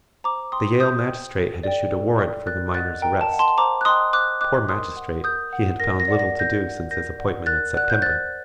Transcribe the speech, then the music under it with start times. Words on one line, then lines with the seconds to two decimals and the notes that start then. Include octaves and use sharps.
The Yale magistrate had issued a warrant for the miner's arrest--poor magistrate, he had found little to do since his appointment in September!
0.24 C5 A#5 D6
0.52 G5 C6 D#6
0.80 C5 D#6 G6
1.08 G5
1.36 A4
1.63 D5 G5
1.92 A4
2.19 D5 G5
2.47 A#4 F#6 A6
2.74 D#5 F#5 F#6 A6
3.02 A#4 G5 A#5
3.21 A5
3.30 D#5 F#5
3.39 A5 C6
3.58 C5 A#5 D6
3.81 F#6
3.85 D#5 G5 C6 D#6
4.13 C5 D6 F#6
4.41 D#5 G5 D6 F#6
4.68 A#4 C6 D#6
4.96 F#5
5.24 A#4 D#6 G6
5.53 F#5
5.80 A#4 A#6
6.00 A#6
6.08 D5 F#5
6.19 A#6
6.36 A#4 G6 A#6
6.63 D5 F#5
6.91 A#4 G6 A#6
7.18 D5 F#5
7.46 A#4 F#6 A6
7.74 D5 F#5 F#6
7.90 G6
8.02 C5 F#6 A6